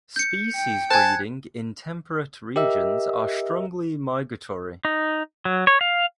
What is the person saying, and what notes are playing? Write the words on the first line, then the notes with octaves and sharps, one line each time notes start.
Species breeding in temperate regions are strongly migratory.
G6 C#7
G5
C5 G#5 A5 F#6 G#6
G4 A#4 D#5 E5 E6
D#4
F#3
C#5
F5